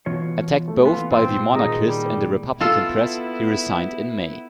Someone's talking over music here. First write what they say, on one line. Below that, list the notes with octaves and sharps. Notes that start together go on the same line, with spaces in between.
Attacked both by the monarchist and the republican press, he resigned in May.
B2 E3 F4 C#5
A3
E3 B3 F4
A#2 C4 F4
B2 D#3 G#3 D#4
G3
B3 E4 F4 A4